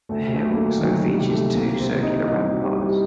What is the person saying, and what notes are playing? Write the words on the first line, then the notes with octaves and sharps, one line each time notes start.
The hill also features two circular ramparts.
D2 A3
D2
A3
F#3
A#3
A3
D2
D#3
D2 F#3
D2
G3
C3
A3
C3
C2 A#3
C3
C4
C3
D#4
C3
C2 D#4
C4
F#4
G3
G4
G3